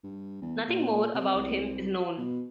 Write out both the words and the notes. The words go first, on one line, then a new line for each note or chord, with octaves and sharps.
Nothing more about him is known.
G2
E2
A#2
C3
C2
B2